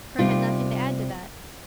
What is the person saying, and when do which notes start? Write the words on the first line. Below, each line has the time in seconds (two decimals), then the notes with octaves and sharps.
Kurt had nothing to add to that.
0.19 C3 G3 D#4 F4